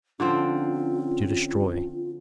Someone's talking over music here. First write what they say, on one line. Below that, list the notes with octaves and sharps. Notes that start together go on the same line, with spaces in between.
To destroy.
D3 F3 C4 C#4 F4